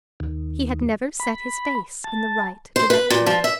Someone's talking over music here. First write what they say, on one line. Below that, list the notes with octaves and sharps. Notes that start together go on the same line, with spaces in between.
He had never set his face in the right direction.
D#2
B5
A5
C5
B4
A#2
F3
E5